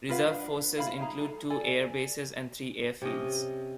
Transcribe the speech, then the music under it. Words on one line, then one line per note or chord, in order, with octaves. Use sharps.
Reserve forces include two air bases and three airfields.
F4 B4 F5 F#5
D4
E4 F5 B5
D#4 G#4 A#5
A4
A4 D5 G#5
C3 C#4 D#5